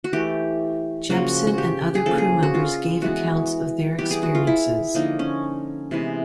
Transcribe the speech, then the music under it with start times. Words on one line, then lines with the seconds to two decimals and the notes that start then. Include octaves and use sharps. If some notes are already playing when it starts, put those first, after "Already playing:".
Jeppson and other crew members gave accounts of their experiences.
0.04 F#4
0.13 E3 A3 G4
1.10 C#3 F3 A#3 F#4
1.47 F#4
1.58 G4
1.95 G#4
2.06 C#3 F3 A#3 A4
2.18 G#4
2.43 F#4
2.55 F4
3.02 E3 G#3 B3 F#4
3.98 E3 G3 B3 G4
4.11 G#4
4.23 F#4
4.35 F4
4.47 E4
4.95 D3 F3 A#3 D#4
5.19 C#4
5.91 C3 E3 G#3 B3